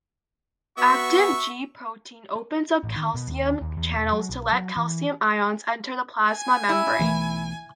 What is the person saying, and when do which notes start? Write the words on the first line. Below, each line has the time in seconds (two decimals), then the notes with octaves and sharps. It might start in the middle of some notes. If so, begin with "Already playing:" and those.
Active G-protein open up calcium channels to let calcium ions enter the plasma membrane.
0.78 B3 F#4 E5 C#6
2.84 A1
2.96 D#3
3.14 B2
3.27 D#2
3.61 D#2
3.77 E2
3.96 E1
4.13 F#3
4.29 B1
4.52 F#3
4.76 E3
6.31 G#5
6.69 E4
6.99 B1 E3 A3